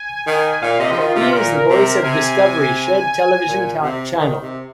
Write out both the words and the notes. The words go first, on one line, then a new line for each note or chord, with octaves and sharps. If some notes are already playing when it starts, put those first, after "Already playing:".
He is the voice of the Discovery Shed television channel.
Already playing: G#5
D#3
A#2 F5
C3 D#5
F3
D#3 F4
C3 F4
A#2 A#4
C3
C3 G#5
A#2
C3
D#3
C3